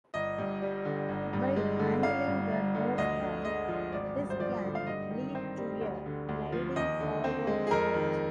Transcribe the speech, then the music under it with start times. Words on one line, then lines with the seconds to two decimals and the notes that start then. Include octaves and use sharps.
By angling the nose down, this can lead to a gliding forward flight.
0.14 G1 D#5
0.38 G2
0.62 G3
0.85 D3
1.09 G1
1.33 G2
1.56 G#3
1.79 D3
2.03 G1 F5
2.27 G2
2.51 G1
2.75 D3
2.98 D2 D#5
3.21 D3
3.45 G#3 D#5
3.68 F3
3.92 G#1 D5
4.16 G2
4.30 C5
4.40 F3 D5
4.64 D3
4.75 F5
4.87 G2 D#5
5.11 D#3
5.35 C4
5.58 G3
5.81 D2
6.06 D3
6.29 D2
6.52 F3
6.76 D#2 D#5
7.00 D3
7.24 C4
7.47 G#3
7.67 G#4
7.71 F2 A#4
7.94 D#3